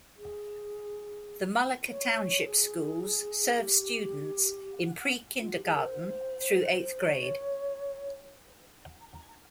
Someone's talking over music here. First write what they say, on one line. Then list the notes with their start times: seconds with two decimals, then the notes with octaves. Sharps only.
The Mullica Township Schools serve students in pre-kindergarten through eighth grade.
0.18 G#4
1.89 C#5
2.46 G#4
3.59 G4
5.41 F4
5.53 G4
5.64 G#4
5.75 A#4
5.86 C5
7.00 C#5